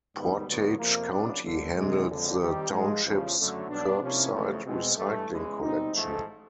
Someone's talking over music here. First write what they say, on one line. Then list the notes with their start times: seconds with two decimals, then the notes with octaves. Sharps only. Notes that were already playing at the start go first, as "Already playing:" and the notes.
Portage County handles the townships's curbside recycling collection.
0.14 G#2 D#3 G3 B3
0.46 D2 D3 F#3 B3
0.79 F2 C3 F3 A#3
1.10 C#3 F#3 B3 D4
1.43 G1 G2 D3
1.75 C3 D#3 G#3
2.07 F#1 F2 D3
2.40 D#3 G3 C4 D#4 G4
2.71 G#2 F3 G#3
3.04 E2 C#3 F3
3.36 F#2 D3 F#3 A3
3.68 B1 B2 G3 B3 D4
4.00 C3 F3 A#3 C#4 E4
4.32 F#1 E2 C#3 F3 A3
4.65 B2 G#3 C4
4.96 G2 E3 A3
5.29 E2 C#3 E3 G#3
5.61 B2 G3 C4 D#4
5.93 A1 G#2 F3 A3